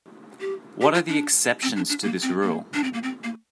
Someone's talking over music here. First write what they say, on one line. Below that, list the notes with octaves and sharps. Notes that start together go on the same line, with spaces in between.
What are the exceptions to this rule?
G4
G4
F4
D4
C4
D4
D4
A#3
C4
A#3
D4
C4
A#3
C4
A#3